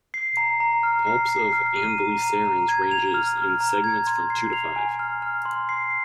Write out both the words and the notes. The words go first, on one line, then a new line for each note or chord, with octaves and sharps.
Palps of amblycerans ranges in segments from two to five.
C7
A#5
A#5
F6
C7
C7
F6
D#7
A#5
A#5
A#5
G#6
F7
F6
F6
A#5
G#6
C6
C7
F7
G#5
F6
F6
C6
C7